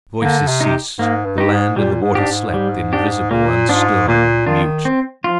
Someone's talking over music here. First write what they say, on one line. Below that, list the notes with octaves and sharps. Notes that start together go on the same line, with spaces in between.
The voices ceased. The land and the water slept invisible, unstirring and mute.
D3 A#3
C3
D#4 G4
G#2 A#3
G2
D#4 G4
G#2
A#2 G3
G#2
D4 G4
G#2
G3
D4 G4
A#2 A#3
G#2 D4 F4
A#2 A#3
D#3 D4 F4
C4
F3 F4